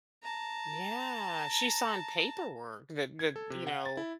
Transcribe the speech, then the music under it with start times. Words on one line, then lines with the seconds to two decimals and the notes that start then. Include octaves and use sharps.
Yeah, she signed paperwork that that, you know,
0.22 A5 A#5
3.19 G#6
3.36 A4
3.50 C3
3.67 F#5
3.86 A6
3.97 E4